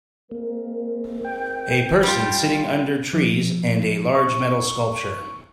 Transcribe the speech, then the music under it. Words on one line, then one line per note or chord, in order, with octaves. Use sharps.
A person sitting under trees and a large metal sculpture.
G#3 A#3 C4 A#4
G5
G3 F4
F3
C#6